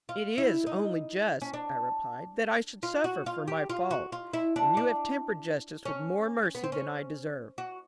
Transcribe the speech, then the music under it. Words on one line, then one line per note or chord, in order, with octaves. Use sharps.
"It is only just," I replied, "that I should suffer for my fault, and you have tempered justice with more mercy than I deserve."
F4
E4
D#4
C#4
D4
F4
F#4
F4
G4
F4
F#4
F4
E4
D4
D4
C#4
B3
C4
C#4
F#4